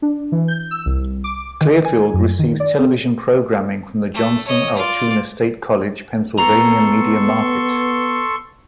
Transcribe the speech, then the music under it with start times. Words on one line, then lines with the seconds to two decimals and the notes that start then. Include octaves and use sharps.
Clearfield receives television programming from the Johnstown-Altoona-State College, Pennsylvania media market.
0.02 D4
0.32 E3
0.48 G6
0.71 E6
0.86 C2
1.24 D6
1.61 D#3
1.85 G#5
2.14 F#2
2.39 D#3
2.60 D5
2.79 C4
4.14 A3
4.47 C#5 D#5
4.75 F4 D5
6.39 B3 A4 A#5 C6 C#6